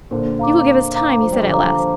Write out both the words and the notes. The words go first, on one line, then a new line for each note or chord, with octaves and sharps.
"You will give us time," he said at last.
A#2 D3 C5
F5 A#5 D6
C5
F5 A#5 D6
F3 C5
G3
D3 F3
F5 A#5 D6
C5